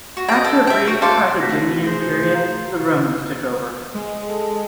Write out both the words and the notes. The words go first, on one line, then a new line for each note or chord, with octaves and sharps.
After a brief Carthaginian period, the Romans took over.
F#4
D#5 G5
A4
E5 G5
F#4
A4 C5 D5 F5
A3 C4 F#4 A#6 B6
G#4 C5
F5 A#5
G#3
A4